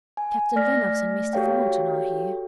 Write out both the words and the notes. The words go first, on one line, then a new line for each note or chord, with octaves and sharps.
Captain Lennox and Mr. Thornton are here.
G#5
A3 D5 F6 A#6 B6
F#4 G4 A4 C#5 F5 G5